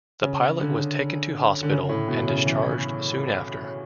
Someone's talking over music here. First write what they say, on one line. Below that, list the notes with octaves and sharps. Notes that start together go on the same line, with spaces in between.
The pilot was taken to hospital and discharged soon after.
C#3
D3
D3
C#3
A2
B2
C#3
E3